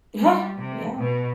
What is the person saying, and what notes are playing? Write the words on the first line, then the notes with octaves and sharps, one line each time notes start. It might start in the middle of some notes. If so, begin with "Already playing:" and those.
Uh-huh. Yeah.
G3
C3
B2